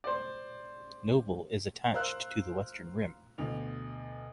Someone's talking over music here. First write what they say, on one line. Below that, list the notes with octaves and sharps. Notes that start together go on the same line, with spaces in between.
Nobile is attached to the western rim.
C5 D5
A#4 C5 F5 E6 F#6
D2 B2 F7